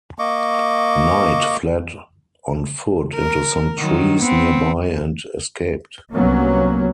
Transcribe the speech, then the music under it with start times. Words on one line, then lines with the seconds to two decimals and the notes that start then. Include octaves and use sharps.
Knight fled on foot into some trees nearby and escaped.
0.19 A#3 D#5 C#6 D6
3.15 A#4
3.78 D#3 F#3
4.22 B3 C4
6.12 C2 F#3 A#3 B3 C#4